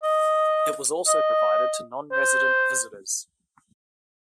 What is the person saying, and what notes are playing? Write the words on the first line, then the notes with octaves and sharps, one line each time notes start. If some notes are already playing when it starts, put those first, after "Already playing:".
It was also provided to non-resident visitors.
D#5
D#5
C5